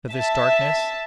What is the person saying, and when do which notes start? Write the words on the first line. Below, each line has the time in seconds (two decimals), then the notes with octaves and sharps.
"But this darkness?"
0.12 E5 A5